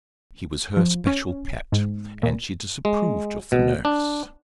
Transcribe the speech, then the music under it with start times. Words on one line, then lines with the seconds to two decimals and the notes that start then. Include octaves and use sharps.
He was her special pet, and she disapproved of the nurse.
0.77 F3
1.07 C#4
1.72 G#2
2.23 A#2
2.85 G#3
3.52 B2
3.85 D4